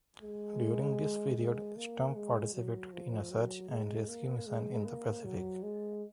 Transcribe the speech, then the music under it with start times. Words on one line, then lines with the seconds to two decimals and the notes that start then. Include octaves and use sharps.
During this period "Stump" participated in a search and rescue mission in the Pacific.
0.21 G#3
1.38 G#3
1.76 A#3
2.15 G#3
2.53 F#3
2.92 F3
3.30 F#3
3.69 G#3
4.08 A#3
4.47 G#3
4.85 A#3
5.24 F#3
5.63 G#3